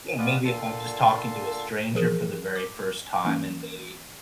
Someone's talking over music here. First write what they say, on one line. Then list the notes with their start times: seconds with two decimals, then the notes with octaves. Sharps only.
you know, maybe if I'm just talking to a stranger for the very first time and they,
0.18 F4 G#4 B4 D5 D#5 F#5
0.45 A#2 D3 A4 A5 C6
1.94 E3 F3 G#4 A#4
2.56 D6
3.25 E3 A#3 C#4